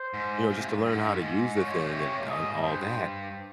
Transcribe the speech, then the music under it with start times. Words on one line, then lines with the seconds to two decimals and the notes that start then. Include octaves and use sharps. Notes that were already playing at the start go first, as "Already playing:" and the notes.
you know, just to learn how to use the thing and and all that.
Already playing: C5
0.14 G#2
0.50 A#2
0.58 C3
0.67 G2
0.86 G2
0.93 G#2
1.01 G2
1.21 G#2
1.56 A#2 C#5
1.68 G#2
1.79 A#2
1.91 C3 C#5
2.03 C#3
2.12 C3
2.19 A#2
2.27 G#2 D#5
2.63 G2 C5